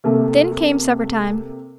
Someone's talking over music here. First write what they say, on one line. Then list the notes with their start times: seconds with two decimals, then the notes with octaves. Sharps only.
Then came supper-time.
0.04 C3 A3 A#3